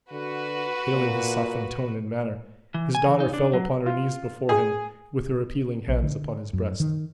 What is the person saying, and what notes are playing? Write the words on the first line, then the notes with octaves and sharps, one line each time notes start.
Hailing his softened tone and manner, his daughter fell upon her knees before him, with her appealing hands upon his breast.
D3 F#4 B4
A#2
E3
G#5
E3
D#4
D4
F#3
F4
G#4
A#1
D3
F#2
D#3